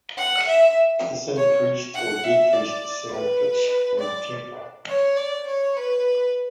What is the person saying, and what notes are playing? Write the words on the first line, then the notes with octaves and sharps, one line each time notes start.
This increased or decreased the sound pitch and tempo.
F#5
E5
C#5
F#5
E5
D5
B4
D5
C#5
D5
C#5
B4